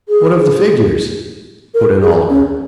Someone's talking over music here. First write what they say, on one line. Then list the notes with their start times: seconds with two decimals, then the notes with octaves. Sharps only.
"What of the figures?" put in Oliver.
0.08 G#4
1.74 A#4
2.02 G#4
2.29 C#4